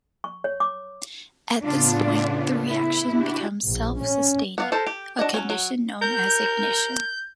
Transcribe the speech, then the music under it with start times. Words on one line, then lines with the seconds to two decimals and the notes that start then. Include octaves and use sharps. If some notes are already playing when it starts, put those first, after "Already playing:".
At this point the reaction becomes self-sustaining, a condition known as ignition.
0.24 C#6
0.44 C#5
0.60 D6
1.63 A2 C#3 B3 D4 F4
2.69 E4
3.07 D4 F#4 G4
3.65 A#1
4.01 C#4
4.58 B3 D5 F5
4.72 A4 A#4 C5
4.87 G4
5.19 D4 F#4 D#5
5.34 F#3 C#4
5.50 F#3
6.02 A#4 G6